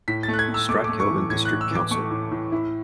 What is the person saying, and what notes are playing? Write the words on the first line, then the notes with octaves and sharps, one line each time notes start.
Stratkelvin district council.
A2 B6
A6
A3
F#6
G#6
A3
E6
A3 D6
D6
A3
C#6
E3
A2 G#6
F#6
A2
E6
E3 D6
A3 C#6
A2
A2
E4